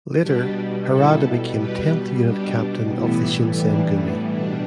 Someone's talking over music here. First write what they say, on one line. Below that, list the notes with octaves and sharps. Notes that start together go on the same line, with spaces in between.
Later, Harada became the tenth Unit Captain of the Shinsengumi.
B2 G3 D4 G4
E4 A4
B2 G3 G4 B4
D4 G4
A2 E3 G3 B3 E4
D4
B3
B2 G3 D4